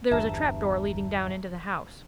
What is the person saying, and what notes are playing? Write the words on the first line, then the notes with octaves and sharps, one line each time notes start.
There was a trap-door leading down into the house.
G1 E2 G2 E5 A5 A#5